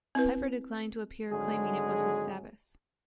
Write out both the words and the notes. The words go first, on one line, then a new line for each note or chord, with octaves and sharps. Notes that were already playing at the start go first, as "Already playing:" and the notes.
Piper declined to appear, claiming it was his Sabbath.
C4 E4 B4
G#1 D3 F#3 G#3 G#4